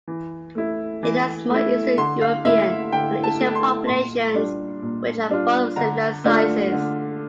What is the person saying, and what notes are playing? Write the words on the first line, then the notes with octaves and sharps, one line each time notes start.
It has small Eastern European and Asian Populations which are both of similar sizes.
E3
A3 E4
E3
A3 E4
D3 C6
F5
A3 E4 E5
D3 G5
A5
A3 E4
C6
A#2 C6
G3 D4 F4
A#2
G3 D4 F4
D3 A#5
A3 D4 F4
D3